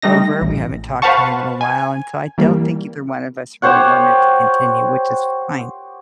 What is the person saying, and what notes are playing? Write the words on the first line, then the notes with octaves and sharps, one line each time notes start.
over, we haven't talked in a little while, and so I don't think either one of us really wanted to continue, which is fine,
G3 A3 D#4 A#6
A1
B4 C5 F5 F#5 A5 C#6
G#5
E3 G3 A#3
G4 C5 C#5 F#5